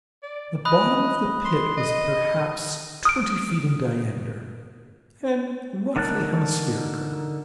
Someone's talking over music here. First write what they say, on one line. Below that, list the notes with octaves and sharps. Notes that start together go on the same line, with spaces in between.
The bottom of the pit was perhaps twenty feet in diameter, and roughly hemispherical.
D5
D#5 B5 D#6 F#6
C6
D#5
D#6 F6 D7
D3 D#4 A#4 A5 F#6